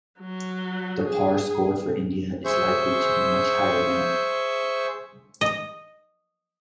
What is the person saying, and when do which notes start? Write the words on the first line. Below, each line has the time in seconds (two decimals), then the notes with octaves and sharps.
The par score for India is likely to be much higher now.
0.19 F#3
1.04 G#4
2.45 G#4 C5 E5 C#6 G6
5.41 D#5